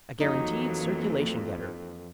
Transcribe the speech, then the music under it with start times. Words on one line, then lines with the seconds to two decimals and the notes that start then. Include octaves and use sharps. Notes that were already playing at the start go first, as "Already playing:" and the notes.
A guaranteed circulation-getter.
0.20 F2 E3 F#3 A#3 D#4 G4 D#5